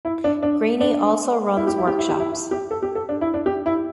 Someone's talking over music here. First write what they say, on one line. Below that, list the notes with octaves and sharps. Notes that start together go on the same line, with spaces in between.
Greaney also runs workshops.
E4
D4
D4
D4
E4
G4
E4
G4
E4
G4
E4
E4
G4
A4
G4
A4
D4
E4
D4
G4
E4